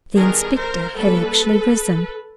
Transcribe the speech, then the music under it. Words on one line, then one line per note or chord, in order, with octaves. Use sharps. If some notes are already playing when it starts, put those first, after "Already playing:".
The inspector had actually risen.
D#3 G3 B3 D4 G#4 A#4
A#4 C5
G3 A#3 C#4 A4 B4